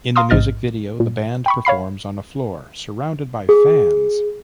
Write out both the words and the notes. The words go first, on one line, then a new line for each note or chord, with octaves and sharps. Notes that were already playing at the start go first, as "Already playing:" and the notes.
In the music video, the band performs on a floor surrounded by fans.
F5 A#5 C6 D#6 E6
A1 G#2 D#5 F6 A6
A#2
G5 B5 C#6
C#5 F5 B5 C7
G#4